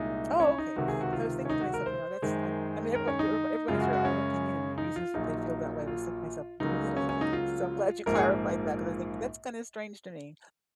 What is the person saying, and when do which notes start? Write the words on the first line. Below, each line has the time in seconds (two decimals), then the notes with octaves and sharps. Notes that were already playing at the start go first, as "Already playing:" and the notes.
Oh, okay. 'Cause I was thinking to myself, you know, that's I I mean, everyone d everyone has their own opinion and reasons that they feel that way. I said to myself, "You really like that?" So I'm glad you clarified that 'cause I was thinking, "That's kinda strange to me."
Already playing: C2 A#2 G#3 D#4
0.40 C#4
0.58 D#4
0.76 C#2 C3 D#3 F#4
0.88 G#4
1.01 F#4
1.13 F4
1.45 C#4
1.50 D#4
1.61 F#4
1.74 A#4
1.86 C5
2.22 F#2 D#3 G#3
2.95 A#4
3.08 C#4
3.19 D#4
3.68 F#2 C#3 G#3 F4
3.80 F#4
3.93 F#4
4.05 C#4
4.78 D#4
4.96 F4
5.14 A#1 A#2 F#3 D#4
5.87 F4
6.60 C#2 C#3 F#3 A#3 D#4
6.97 C#4
7.09 C#4
7.21 D#4
7.33 F4
8.06 A#1 G#2 F3 A#3 A#4
8.15 G#4